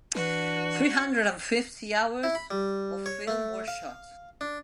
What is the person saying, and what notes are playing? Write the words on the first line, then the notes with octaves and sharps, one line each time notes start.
Three hundred and fifty hours of film were shot.
E3 D4 F#4 B4
E4
B5
G3
C#5
A3
F5
D4